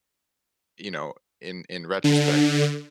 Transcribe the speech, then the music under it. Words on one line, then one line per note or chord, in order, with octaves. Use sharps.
you know, in in retrospect,
D3